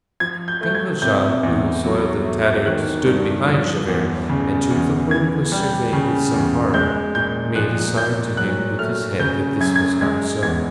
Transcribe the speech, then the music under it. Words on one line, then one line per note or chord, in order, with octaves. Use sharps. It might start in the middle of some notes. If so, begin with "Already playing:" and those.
Jean Valjean, who, soiled and tattered, stood behind Javert, and whom the porter was surveying with some horror, made a sign to him with his head that this was not so.
F3 G#6
G6
A3 G6
G#6
C3 G6
E2
F#3
A3
D#3 F#6
G2
F3
E2
C#3
E2
E3 G#6
G3
C#3
E2
G#3 G6
A#2 G6
F3 F#6
A#2 G6
F#3 F#6
A3 F6
C#3 G6
F#2 G#6
G#6
G#3 G#6
E2 G#6